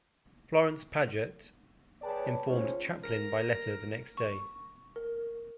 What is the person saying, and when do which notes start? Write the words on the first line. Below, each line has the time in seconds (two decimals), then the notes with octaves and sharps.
Florence Paget informed Chaplin by letter the next day.
2.02 G#4 B4 C#5 D5 G5 A5
2.47 G#3 C#4 D#4 F4 C5 C#5
3.03 A#4
4.17 C#6
4.96 A#4